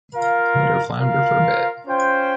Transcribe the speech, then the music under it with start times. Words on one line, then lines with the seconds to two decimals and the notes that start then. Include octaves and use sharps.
Let her flounder for a bit.
0.14 F4 A#4 F5
1.00 F4 A#4 F5
1.86 C#4 F4 C5 G5